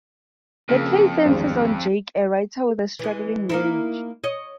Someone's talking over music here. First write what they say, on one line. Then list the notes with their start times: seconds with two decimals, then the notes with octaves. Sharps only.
The play centers on Jake, a writer with a struggling marriage.
0.69 F2 C#3 A#3
1.26 G#1 E2 G2
2.99 E3 G#3
3.49 A#3 D#4 E4
4.24 C#5 D#5